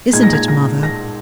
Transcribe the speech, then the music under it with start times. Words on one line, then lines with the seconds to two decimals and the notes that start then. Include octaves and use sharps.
Isn't it, mother?'
0.13 A#2 G#3 D#4 G#6
0.23 A#6
0.33 G#6
0.48 A#6
0.83 A#6